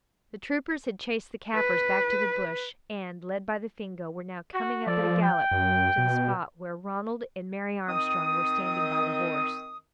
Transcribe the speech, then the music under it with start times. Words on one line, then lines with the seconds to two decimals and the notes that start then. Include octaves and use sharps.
The troopers had chased the Kaffirs back to the bush, and, led by the Fingo, were now coming up at a gallop to the spot where Ronald and Mary Armstrong were standing by the horse.
1.55 B4
4.53 F#4
4.87 F3 A4 D5
5.21 G5
5.51 F#2
5.98 B2
7.88 D#3 C4 D#6